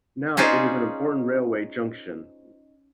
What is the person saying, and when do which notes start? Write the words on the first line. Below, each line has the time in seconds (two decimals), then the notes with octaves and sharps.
Now it is an important railway junction.
0.37 C#4 D#4 F4 G#4 C5 D5